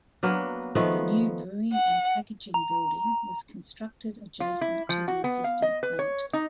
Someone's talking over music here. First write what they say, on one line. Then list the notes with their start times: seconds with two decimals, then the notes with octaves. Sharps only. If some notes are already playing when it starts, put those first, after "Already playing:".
The new brewing and packaging building was constructed adjacent to the existing plant.
0.23 F#3 A#3 B3 D4
0.75 D#3 F3 A3 B3
1.72 F#5
2.54 A#5
4.40 F4
4.61 E4
4.89 F3
5.08 F#4
5.24 B3
5.44 F5
5.62 D#5
5.83 B4
5.99 C#5
6.33 D#4